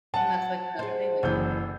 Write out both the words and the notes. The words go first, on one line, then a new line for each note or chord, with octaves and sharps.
And that's, like, another thing, like,
F#3 F#5 A5
G#4 C5
F#1 D3 E3 C#4 G6